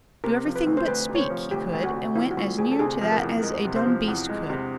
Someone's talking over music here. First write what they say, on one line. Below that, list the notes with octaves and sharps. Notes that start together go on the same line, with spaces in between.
Do everything but speak, he could, and went as near to that as a dumb beast could.
C3 A#4
F3
B4
D2
C5
D2 B4
C3
C#5
C5
F3
D2 G4
D2
F#4
C3
F3 E4
F#4
D2 F4
D2 G#4
A4
C3 G#4
F3
A#4
E2
G#3 A#4
C3
C5
F3
E2
G#3
C3